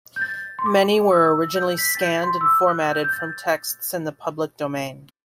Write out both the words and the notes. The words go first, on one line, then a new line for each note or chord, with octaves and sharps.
Many were originally scanned and formatted from texts in the Public Domain.
G6
A6
C6
D6
E6
G6
B6
A6
G6
C6
E6
D6
F#6
G6
G6
A6